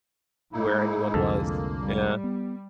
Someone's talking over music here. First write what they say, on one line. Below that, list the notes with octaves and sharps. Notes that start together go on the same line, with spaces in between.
where anyone was. Yeah.
A2 G#3 A#3 D#4 E4
C2 F2 D3 A#3 A4
G3
B3